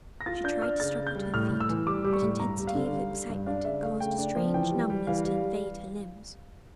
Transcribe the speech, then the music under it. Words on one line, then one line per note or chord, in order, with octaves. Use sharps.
She tried to struggle to her feet, but intensity of excitement had caused a strange numbness to invade her limbs.
A#6
F4 A6
D4 G6
D4 F6
C#3 A6
C#3
G6
G3
A2 F6
A2
E6
E3
G3 D6
G3
C#6
A2
G2 A#5
G3
F5
D3
G3
G3
G2
D4 F5
C#3 E5
A3 F5
C#3 G5
D4
F3
E3 G5
G3
G3
E3 F5
G3